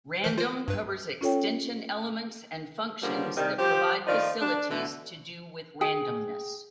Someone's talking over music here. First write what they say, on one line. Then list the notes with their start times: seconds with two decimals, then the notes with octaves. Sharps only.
Random covers extension elements and functions that provide facilities to do with randomness.
0.24 E3 A#4 C5
0.38 F4 C5
0.68 G2 B4
1.21 C#4 F4 A4 C#5 G5
3.02 C#3 F3 G3 A#3 B3 D4
3.36 C3 D#3 G3
3.58 F3 G4 C5
4.07 D#3 F3 D#4 F4 C5 D5
4.41 D4
4.69 B2 D3 E3 A3
5.81 G#4 G5